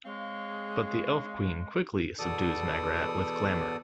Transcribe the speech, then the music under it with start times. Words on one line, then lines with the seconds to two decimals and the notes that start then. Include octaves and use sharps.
But the Elf Queen quickly subdues Magrat with glamour.
0.05 G#3 C4 C#5 F5
2.19 E2 B2 A4 D5 D#6